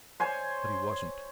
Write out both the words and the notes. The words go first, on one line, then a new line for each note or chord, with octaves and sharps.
But he wasn't.
C5 C#5 G#5 C6